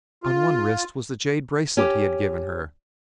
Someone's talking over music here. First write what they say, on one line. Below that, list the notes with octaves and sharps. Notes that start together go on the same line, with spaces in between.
On one wrist was the jade bracelet he had given her.
F4
C#4 G4